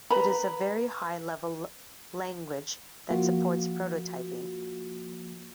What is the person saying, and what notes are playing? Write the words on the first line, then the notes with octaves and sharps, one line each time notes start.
It is a very-high level language that supports prototyping.
B4 A#5 B5
F3 A#3 F4 F#4